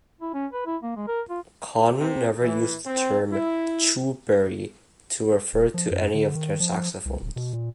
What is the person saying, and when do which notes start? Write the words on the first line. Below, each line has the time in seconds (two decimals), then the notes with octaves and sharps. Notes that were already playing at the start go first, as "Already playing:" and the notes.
Conn never used the term "Chu Berry" to refer to any of their saxophones.
0.21 E4
0.34 C#4
0.53 B4
0.66 E4
0.83 A#3
0.96 G#3
1.07 A#4
1.29 F4
1.99 C3
2.41 E3
2.85 C4
3.30 E4
5.53 D#1
5.74 F3
5.91 F#2
6.14 D3
6.35 D#3
6.60 F3
7.05 C2
7.22 D1
7.36 B2
7.53 A#2